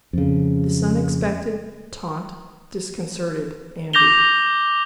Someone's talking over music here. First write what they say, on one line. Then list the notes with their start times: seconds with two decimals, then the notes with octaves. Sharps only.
This unexpected taunt disconcerted Andy.
0.13 F2 C#3
3.93 D6 G6 A#6 F7 G7